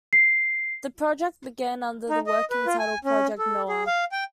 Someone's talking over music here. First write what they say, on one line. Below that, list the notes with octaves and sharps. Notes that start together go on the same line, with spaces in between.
The project began under the working title "Project Noah".
C7
D#4
D#5
B4
F4
G#5
C#4
A4
G#4
F5
G5